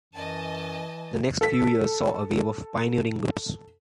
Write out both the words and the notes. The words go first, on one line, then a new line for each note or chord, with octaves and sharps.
The next few years saw a wave of pioneering groups.
F#2 E3 D#5 G#5 A5
A4 B6